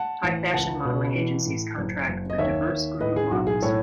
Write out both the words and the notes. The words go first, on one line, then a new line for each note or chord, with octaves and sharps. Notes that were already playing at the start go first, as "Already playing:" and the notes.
High fashion modeling agencies contract with a diverse group of models.
Already playing: F#5 A5
A1
C#2 F#5 A5
B2
E3
A2
F#1
F#1
D#5
D#2 C#5 E5
D#2
A2 B4 D#5
G#4
B1 F#4
G#4
A2 A4 C#5